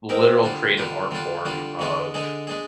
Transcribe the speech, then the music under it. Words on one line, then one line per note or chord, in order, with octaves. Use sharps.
literal creative art form of
G#3 C4 G4 A#4
D3 G3 D4 F4
D3 G3 D4 F4
D3 G3 D4 F4
D3 G3 D4 F4
D3 G#3 D4 G#4
D3 G#3 D4 G#4
G#3 D4 G#4